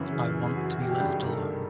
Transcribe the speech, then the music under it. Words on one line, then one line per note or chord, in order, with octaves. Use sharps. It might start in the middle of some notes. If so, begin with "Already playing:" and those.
I want to be left alone.
Already playing: F#2 C#3 E3
G#4
G#4
F#4
F#4
G4
G4
G2 D#3 G3 G#4
A#4
A4